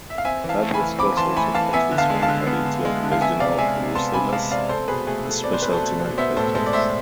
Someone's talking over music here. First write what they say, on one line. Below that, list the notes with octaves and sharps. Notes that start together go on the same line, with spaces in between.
Hardware stores also purchase from a variety of regional wholesalers and specialty manufacturers.
E5
F5
C4 E5 G#5
E3
F5 A5
A3
G#5 B5
E3
C4 B5 D6
E3 A5 C6
A3 G#5 B5
E3 F5 A5
B3 E5 G#5
D3
F5 A5
G#3
F5 A5
D3
B3
D3
G#3
D3
F5
B3 E5 G#5
C3 D5 F5
G#3 E5 G#5
C3
B3 A5 C6
C3 G#5 B5
G#3 F5 A5
C3 D5 F5
C4 A4 C5
B2 G#4 B4
A3 G#4
B2 A4
C4 D5
C5
B2 B4
A4 C5
A3
B2
B3 C5 E5
A2 A4 C5
G#3 A4 C5
D5
A2 C5 E5